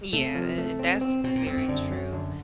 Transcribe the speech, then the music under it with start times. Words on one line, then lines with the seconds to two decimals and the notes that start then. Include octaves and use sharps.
Yeah. And and that's very true.
0.13 C3 A3
0.35 F3
0.58 A3
0.79 C4
1.01 C4
1.24 B2 C4
1.35 A#2
1.46 F2 C4
1.57 F#2
1.68 F#2 D3
1.91 F#3
2.13 D3